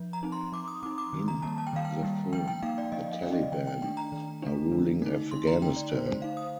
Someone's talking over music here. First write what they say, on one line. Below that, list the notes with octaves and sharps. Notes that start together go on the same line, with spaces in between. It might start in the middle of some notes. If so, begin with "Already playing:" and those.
In the film, the Taliban are ruling Afghanistan.
Already playing: F3
A#5
C4 D#4
C6
F3 D6
D#6
C4 D#4 D6
D6
D#3
A#5
G3 A#3 A5
A5
G5
D#3 F5
G5
G3 A#3
F3 G5
G5
A#3 D#4 F5
D5
F3 D#5
F5
A#3 D#4 D5
D#5
D#3 G5
G5
A3 D4 G5
A#5
D#3
A3 D4
D3
A3 D#4
D3 C6
A#5
A3 D#4 G5
D5
D3 C5
C5
A3 D#4 F5
D#6